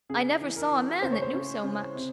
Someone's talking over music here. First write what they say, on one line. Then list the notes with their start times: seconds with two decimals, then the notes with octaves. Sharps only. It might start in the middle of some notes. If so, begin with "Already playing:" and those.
"I never saw a man that knew so much!"
0.09 C#3 G#4
0.41 E3
0.56 A#4
0.72 E3
1.02 C#3 C5
1.12 C#5
1.22 C5
1.34 C#3
1.64 C#3
1.95 C3